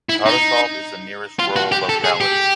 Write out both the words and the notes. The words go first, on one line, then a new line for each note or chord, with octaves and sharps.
Tarasov is the nearest rural locality.
E4
D#4
F4
F#4
G4
A4
G#4
G4